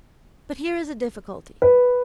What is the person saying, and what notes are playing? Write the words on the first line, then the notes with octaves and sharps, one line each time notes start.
But here is a difficulty.
B4